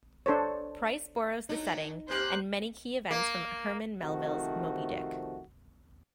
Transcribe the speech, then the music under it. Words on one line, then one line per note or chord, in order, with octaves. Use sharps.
Price borrows the setting and many key events from Herman Melville's "Moby-Dick".
D4 A4 C5 C#5
F#3 A3 D4 D#4
C3 A#3 G4 C5 F#6
A#3
C3 D#3 F3 A3 F#4